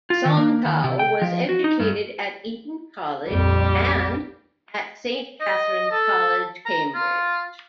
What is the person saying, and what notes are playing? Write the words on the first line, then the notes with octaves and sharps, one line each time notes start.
Somtow was educated at Eton College and at Saint Catharine's College, Cambridge.
F4
D#3
A#3
D#2
C3
G5
F3
F#4
D#4
G2
A#1 F2 G3 G4
D#5
A4
A#5
F4